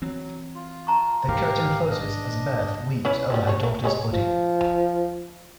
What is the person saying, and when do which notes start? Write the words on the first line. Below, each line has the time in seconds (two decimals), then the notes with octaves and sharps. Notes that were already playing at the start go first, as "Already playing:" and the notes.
The curtain closes as Berthe weeps over her daughter's body.
0.02 E3 F#3 C4
0.55 F4
0.87 A5 A#5 C#6
1.28 A1 G#2 D#3 G4 A#4 F5
1.90 D4 D#5
3.05 C#4 E4 B4
3.30 D3 F3 G3
3.47 D4 C#5
3.63 A3
3.84 G#3 G#4 C#5
4.13 F3